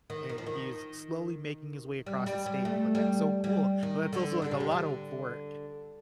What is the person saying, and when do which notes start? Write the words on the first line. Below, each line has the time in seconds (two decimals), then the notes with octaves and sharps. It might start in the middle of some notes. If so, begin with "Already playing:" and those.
and he's slowly making his way across the state, and it's like, "That's so cool," but it's also, like, a lot of work.
0.10 D#3
0.29 D#3
0.38 F3
0.46 D#3
2.06 G3
2.26 G3
2.46 G3
2.65 A3
2.95 G3
3.44 G3
3.83 D#3
4.13 D3
4.42 D3
4.51 C3
4.60 D3
4.71 D3